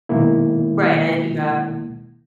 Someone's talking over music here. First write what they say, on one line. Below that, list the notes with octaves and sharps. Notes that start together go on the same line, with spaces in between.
Right, I do that.
B2 D#3 G#3 A#3 E4